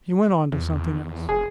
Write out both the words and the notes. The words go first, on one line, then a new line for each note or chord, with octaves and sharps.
He went on to something else.
E2
F1 G#4